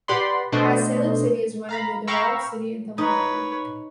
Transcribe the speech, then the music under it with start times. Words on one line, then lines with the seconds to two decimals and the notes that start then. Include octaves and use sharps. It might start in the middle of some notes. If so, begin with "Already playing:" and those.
As Salem city is one of the developed city in Tamilnadu.
0.08 G4 B4 D5 F#5 B5 C6
0.52 B2 A3 D4 C5 D#5
1.69 F5 A#5 B5
2.07 F5 G5 A#5 B5 C#6 E6
2.98 D#4 B4 C#5